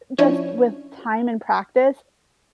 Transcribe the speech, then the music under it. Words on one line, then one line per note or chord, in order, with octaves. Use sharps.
just, with time and practice
F3 C#4 D4 E4 C#5